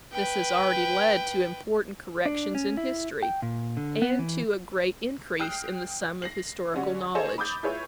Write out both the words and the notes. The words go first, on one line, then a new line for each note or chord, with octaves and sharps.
This has already led to important corrections in history, and to a great increase in the sum of historical knowledge.
B4 G5
D4
C#4
E4
G5
A#2
D3
B3
E3
G5 D#6 F6 F#6 C7
A#6 C7 F#7
D3 G3 C#4 D4 F#4
G#4 A4 C5 C#5 D#5 G#5
B5 D6 D#6 G6 A6
E4 F4 G#4 B4 C#5 E5